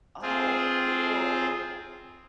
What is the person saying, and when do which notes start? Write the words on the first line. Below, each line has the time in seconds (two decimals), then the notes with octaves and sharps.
Oh, cool!
0.22 C4 F4 G#4